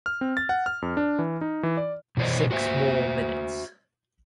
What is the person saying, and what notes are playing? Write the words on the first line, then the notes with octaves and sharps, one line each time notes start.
Six more minutes.
F6
C4
A6
F#5
F6
F2
D4
E3
D#4
E3
D5
B2 E3 C5 C#5 D#5
F#4 C5 E5